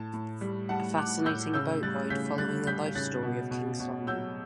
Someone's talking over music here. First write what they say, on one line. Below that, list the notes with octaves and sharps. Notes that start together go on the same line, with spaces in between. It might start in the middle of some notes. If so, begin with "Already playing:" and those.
A fascinating boat ride following the life story of King Solomon.
Already playing: A2 A5
A2
G3
G3 F#5 A5
G3 D6 F#6
A2 E6 G6
C#3 E6 G6
G3 F#6 A6
C#3 G6 B6
G3 F#6 A6
G3 G6 B6
C#3 F#6 A6
B2
B2
B2
F#3 E6 G6